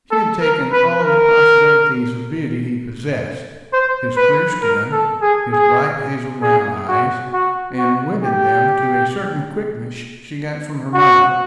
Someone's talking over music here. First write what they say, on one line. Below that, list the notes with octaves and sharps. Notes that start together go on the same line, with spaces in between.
She had taken all the possibility of beauty he possessed, his clear skin, his bright hazel-brown eyes, and wedded them to a certain quickness she got from her mother.
A4
A#4
B4
A#4
C5
B4
A#4
A4
G#4
G#4
G#4
F#4
F#4
F#4
G4
F#4